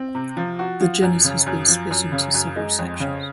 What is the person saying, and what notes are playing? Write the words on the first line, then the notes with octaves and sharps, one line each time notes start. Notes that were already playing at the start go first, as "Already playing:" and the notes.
The genus has been split into several sections.
Already playing: C4
C3
F3
F#4
F3
F#2
C#3
F#2
F3
F#2
C#3
F#2
G#3
F2
C#3